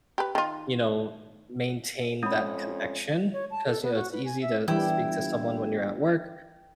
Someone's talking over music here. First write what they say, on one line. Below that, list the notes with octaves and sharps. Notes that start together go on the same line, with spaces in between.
you know, maintain that connection. 'Cause, you know, it's easy to speak to someone when you're at work,
G4 B4
D#3 F4
F2 G#3 C4 C#4 C#5 B5 D#6
C#5
A5
A4
B3
F#4
B4
G#5
E5
G1 E3 G3 E4 G5